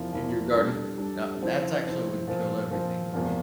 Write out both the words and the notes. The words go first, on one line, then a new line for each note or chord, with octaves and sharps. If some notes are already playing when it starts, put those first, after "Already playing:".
in your garden. Now that's actually would kill everything, wouldn't it?
Already playing: E2 C3 F3 A#3 E4
E2 C3 F3 A#3 E4
G3 D4 A4
G3 D4 A4
C3 F3 C4 E4
C3 F3 C4 E4
A#2 F3 C4
A#2 F3 C4
E2 C3 F3 A#3